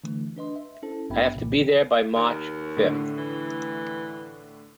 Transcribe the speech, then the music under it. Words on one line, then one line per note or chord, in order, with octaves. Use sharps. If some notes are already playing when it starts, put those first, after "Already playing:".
I have to be there by March fifth.
D3 E3 A3
D4 B4 D#5 C6
E5
C#4 E4 A4 C5 A5
G#1 G2 B3 E5 G5 B5
C2 A#2 C#3 E3 F3
D#2
A2 D3
E3